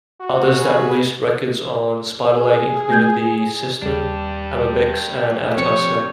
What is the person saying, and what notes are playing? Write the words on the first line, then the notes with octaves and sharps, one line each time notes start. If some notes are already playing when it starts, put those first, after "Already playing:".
Others that released records on Spiderleg included The System, Amebix and Antisect.
F#4
G#4 B4
G#4
A3 G6 G#6
D#2 G3 D4 G4
F3 C4 A4 C#5 C#7